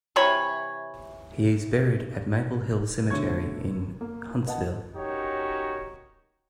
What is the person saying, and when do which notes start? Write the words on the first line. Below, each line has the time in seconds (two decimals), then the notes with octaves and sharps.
He is buried at Maple Hill Cemetery in Huntsville.
0.16 C3 E3 C#5 B5
3.10 B2 D3 A3 C#5 C#6 G#6
4.01 A#3
4.46 B4 D#5 F#5 A5
4.96 C#4 D#4 F#4 G4 A#4 C#5